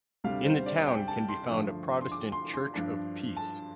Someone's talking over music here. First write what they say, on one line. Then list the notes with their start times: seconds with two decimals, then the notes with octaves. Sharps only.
In the town can be found a Protestant Church of Peace.
0.24 D2 C3 G3 D4 F5
0.45 C5
0.66 D5
0.87 G5
1.08 A5
1.29 C6
1.49 G2 D3 F3 A3
2.01 C6
2.12 D6
2.32 C6
2.54 C6
2.74 G2 F3 D4
3.37 A5